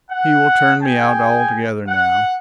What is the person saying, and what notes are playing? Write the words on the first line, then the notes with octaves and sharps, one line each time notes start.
He will turn me out altogether now.
F#5
G#4 G5 G#5
F#5